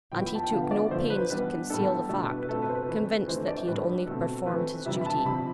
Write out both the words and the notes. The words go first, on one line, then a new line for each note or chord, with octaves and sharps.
And he took no pains to conceal the fact; convinced that he had only performed his duty.
A2 F3 B3 G5
B5
A5
G5
D3 F3 B3 D4 F5
D5
D3 F3 A3 C5
B4
E3 G3 B3 D4 B4
A2 G3 B3 D4 A4
B2 A3 D4 A4
B4
B4
B2 A3 C4 A4
B4
C5
B4
E3 A3 C4 B4
E3 A3 D4 C5
D5
A2 G3 D4 B4
B2 A3 C4 A4
E3 A3 C4 B4
C3 E3 G3 D4 E5
B5
A5
C3 F3 C4 B5